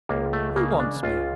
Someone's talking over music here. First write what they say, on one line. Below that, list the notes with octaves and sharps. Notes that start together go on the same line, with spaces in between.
"Who wants me?"
C#2 A#3
A3
C#3 A#3
D4
C#2 F4